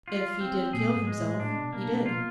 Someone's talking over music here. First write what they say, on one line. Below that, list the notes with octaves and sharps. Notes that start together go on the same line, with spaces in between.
If he did kill himself, he did.'
F4
C4
A#2 G#4
G#2
G#3
A2
A2 D4
B2
B2 A#3
B2
B2 F4